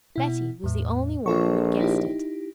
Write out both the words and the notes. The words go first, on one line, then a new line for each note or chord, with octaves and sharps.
Betty was the only one who had guessed it.
B2 E4
E2 A2
A#1 F4 A4 C#6
D#4 E4 G4